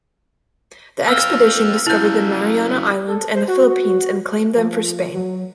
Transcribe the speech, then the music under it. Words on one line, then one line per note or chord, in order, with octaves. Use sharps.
The expedition discovered the Mariana Islands and the Philippines and claimed them for Spain.
C4 F4 E6 F6 G7
C#3 F#3 E4 G6
A4
C5
F#4
F3
F#3